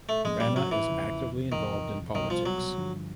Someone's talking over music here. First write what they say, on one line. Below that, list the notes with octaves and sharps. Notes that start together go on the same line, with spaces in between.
Rana is actively involved in Politics.
A3
A2 F3 G#3 A#3 C#4
G3
F#3
E3
E2 C#3 F3
E2 C3 D#3 F3
C2 B2 D#3 G3
F3
F#3
G2 D3 F3